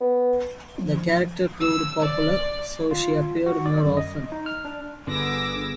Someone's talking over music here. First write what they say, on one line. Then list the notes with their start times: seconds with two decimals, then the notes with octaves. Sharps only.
The character proved popular, so she appeared more often.
0.01 B3
0.78 F3
1.60 E6
2.02 D5
2.91 F4
3.46 F#4
3.66 D5
3.84 F#2
3.97 D#5
4.32 D#4
4.46 F6
4.65 D4
5.07 G1 D3 B3 D4 G#4 D6 E6 A#6